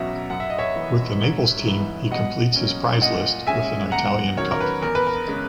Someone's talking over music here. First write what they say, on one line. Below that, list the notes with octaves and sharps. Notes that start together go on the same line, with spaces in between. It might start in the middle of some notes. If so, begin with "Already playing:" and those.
With the Naples team, he completes his prize list with an Italian Cup.
Already playing: E2 B2 F#3 C#4 E5 F#5 A#5
F#2 F#5
E5
D#5
C#5 E5
E3 B3
G#2
E3 B3
B2 D#5 F#5
F#3 A#3 C#4
A#2 D#5 F#5
G#3 C#4 E5 G#5
E2 F#5 A#5
D#3 F#3 C#4 A#4 C#5
A#4
B4
E2 A#4
B4
A#4
C#3 G#3 C#4